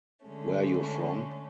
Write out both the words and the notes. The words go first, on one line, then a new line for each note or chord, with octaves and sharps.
Where you from?
D3 G#3 A3 C#4